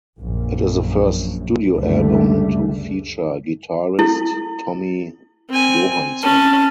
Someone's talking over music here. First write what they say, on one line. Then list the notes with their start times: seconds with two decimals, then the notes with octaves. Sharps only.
It is the first studio album to feature guitarist Tommy Johansson.
0.20 A#1 F#2
1.75 F#1 C#2 D3 G3 A3
3.99 E4
5.49 C4 G#5
6.23 C#4 A5